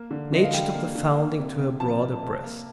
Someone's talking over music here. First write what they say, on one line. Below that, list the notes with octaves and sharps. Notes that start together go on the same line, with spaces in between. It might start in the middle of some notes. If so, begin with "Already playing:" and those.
Nature took the foundling to her broader breast.
Already playing: A#3
D3
D3 D#5
F5
G3 G5
A#3
D3
A#3
C3
C3
F3 A5
A#3
C3
A#3